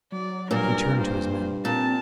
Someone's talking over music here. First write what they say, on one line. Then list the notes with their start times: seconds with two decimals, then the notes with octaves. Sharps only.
He turned to his men.
0.12 F#3 D5
0.51 G2 A#2 A#4
0.99 F1 C5
1.65 A#2 C4 A5